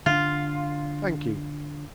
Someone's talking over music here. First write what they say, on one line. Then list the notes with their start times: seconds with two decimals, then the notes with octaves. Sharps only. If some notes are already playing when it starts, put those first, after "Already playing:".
"Thank you."
0.06 D3 D4 F4